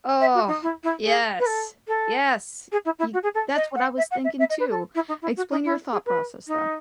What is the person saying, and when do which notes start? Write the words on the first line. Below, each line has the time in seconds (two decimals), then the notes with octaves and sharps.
Oh, yes. Yes. You that's what I was thinking too. Explain your thought process, though.
0.21 E5
0.34 F#4
0.48 D#4
0.62 E4
0.83 E4
1.03 G#4
1.39 B4
1.46 A4
1.88 A4
2.72 G#4
2.85 E4
2.99 E4
3.13 F#4
3.23 G#4
3.34 A4
3.55 D#5
3.76 F#5
3.97 E5
4.11 F#5
4.24 E5
4.39 E5
4.50 D#5
4.60 B4
4.71 A4
4.95 E4
5.08 D#4
5.22 E4
5.37 F#4
5.51 D#4
5.65 E4
5.92 G#4
6.06 B4
6.48 D#4